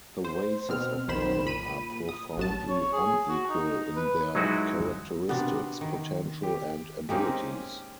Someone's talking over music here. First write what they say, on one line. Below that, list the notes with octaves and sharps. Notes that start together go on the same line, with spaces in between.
The races of Man are profoundly unequal in their characteristics, potential and abilities.
C5
B2 C4 F6
B1 D#3 C5 B5 E7
A#2 B5 D#7
D#6
A1 F#3 A5
C#5
G#4
F#4
D#4
B4
F#3 G#3 D#4 E4 F#4
C3 B3 D4 F#4 A#4
D#3
G4
G#3 A#3 C4 C#4 D#4 G4